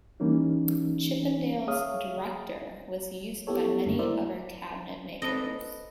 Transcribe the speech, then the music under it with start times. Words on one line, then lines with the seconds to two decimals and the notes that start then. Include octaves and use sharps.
Chippendale's "Director" was used by many other cabinet makers.
0.20 E3 G3 A#3 C#4 D#4
1.67 G#4 C#5 E5 F5 D#6 F6
3.47 B3 E4 G4 A4 C#5
3.86 F#2 D3 G3 A3
3.99 E4 A#4 C5 D5 E5
5.22 C4 A4 B4 D#5